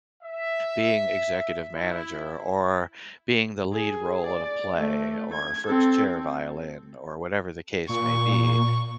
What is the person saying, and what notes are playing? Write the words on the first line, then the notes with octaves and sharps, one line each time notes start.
being executive manager or being the lead role in a play or first chair violin or whatever the case may be.
E5
E4
G#4
D5
A3
G#6
C4 A4
A#2 C#6